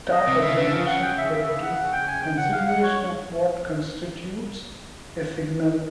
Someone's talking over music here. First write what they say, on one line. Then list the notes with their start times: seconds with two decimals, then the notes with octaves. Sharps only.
That observation led to consideration of what constitutes a "signal".
0.12 D#5
0.27 C3
0.42 C#3 E5
0.58 D3
0.72 C#3 F5
0.87 F#5
1.02 G5
1.17 E5
1.32 E5
1.62 F#5
1.92 G5
2.08 G#5
2.23 G5
2.37 F#5
2.52 F5
2.68 F#5
2.83 C#5